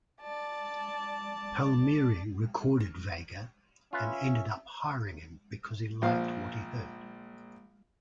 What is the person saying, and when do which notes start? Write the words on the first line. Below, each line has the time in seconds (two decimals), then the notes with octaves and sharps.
Palmieri recorded Vega and ended up hiring him because he liked what he heard.
0.21 D5 A5
3.93 C#4 F4 B4 E5
6.02 A#1 F3 F5